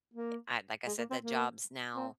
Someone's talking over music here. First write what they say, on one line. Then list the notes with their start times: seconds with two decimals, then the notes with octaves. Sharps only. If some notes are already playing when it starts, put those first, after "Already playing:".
I like I said, the jobs now
0.14 A#3
0.86 G#3
0.98 A#3
1.10 C4
1.23 A#3
1.96 C4